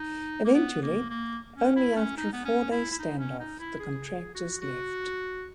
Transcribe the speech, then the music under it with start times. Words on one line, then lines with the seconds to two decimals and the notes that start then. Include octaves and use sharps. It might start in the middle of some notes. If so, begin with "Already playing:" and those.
Eventually, only after a four-day stand-off, the contractors left.
Already playing: D#4
0.45 A#3
0.54 B3
0.82 A#3
1.10 A#3
1.56 C#4
1.76 E4
1.96 C#4
2.18 D#4
2.33 B3
2.45 C#4
2.71 E4
2.91 E4
2.99 D#4
3.18 C#4
3.39 D#4
3.59 E4
3.79 G#4
4.07 G#4
4.35 F#4
4.61 F#4